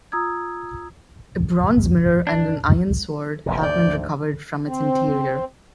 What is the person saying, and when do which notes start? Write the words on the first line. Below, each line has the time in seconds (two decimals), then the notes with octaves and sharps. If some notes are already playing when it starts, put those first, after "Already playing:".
A bronze mirror and an iron sword have been recovered from its interior.
0.12 F4 A#5 D#6 E6 G#6
2.27 D4
3.46 F1 A#1 C3
3.63 D2 G#2 D5 G6
4.67 C4